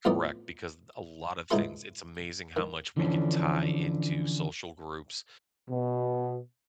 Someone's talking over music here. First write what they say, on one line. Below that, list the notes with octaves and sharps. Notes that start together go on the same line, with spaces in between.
Correct, because a lot of things it's amazing how much we can tie into social groups,
F2 A2 F#3 B3 D#4 D5
C#2 G#2 D#4 E4 A4 C6
D#3
D3 E3 F3 C#4 D4
B2